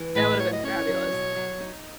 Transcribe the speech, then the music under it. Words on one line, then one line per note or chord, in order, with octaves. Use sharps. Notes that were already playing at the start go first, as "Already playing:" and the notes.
That would have been fabulous.
Already playing: E3
A2 B4
F#3 C#5
D#5
C#4 C#5
F#3
B2
F#3
D#4